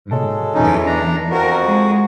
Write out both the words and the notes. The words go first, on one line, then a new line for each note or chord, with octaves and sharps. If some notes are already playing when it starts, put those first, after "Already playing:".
Mhm. Yeah.
F#3 G#3 A4
E2 E3 C#4 D#4
D4 A#5
F2 F#4 A#4
G#3